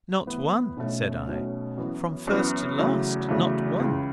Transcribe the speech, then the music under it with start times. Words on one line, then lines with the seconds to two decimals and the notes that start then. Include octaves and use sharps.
"Not one," said I. "From first to last, not one."
0.26 A2 E3 B3 E4
0.77 B1 B2 A3 C#4
1.27 B1 B2 A3 C#4
1.77 F#2 E3 B3
2.27 F#2 E3 B3
2.78 E2 C#3 F#3 A3
3.29 E2 C#3 F#3 A3
3.79 C#2 C#3 E3